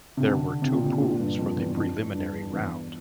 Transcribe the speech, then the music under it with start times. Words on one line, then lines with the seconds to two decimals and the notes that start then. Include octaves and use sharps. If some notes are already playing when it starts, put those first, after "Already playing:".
There were two pools for the preliminary round.
0.17 C3
0.24 D3
0.62 C3
0.73 A#2
0.83 C3
1.00 A#2
1.19 G2
1.39 F2
1.57 E2
1.77 F2
2.14 G2
2.53 E2